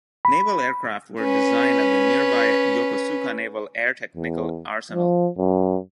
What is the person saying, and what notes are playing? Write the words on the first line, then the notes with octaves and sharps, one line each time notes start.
Naval aircraft were designed at the nearby Yokosuka Naval Air Technical Arsenal.
B5
C#4 B4
E2
F3
F#2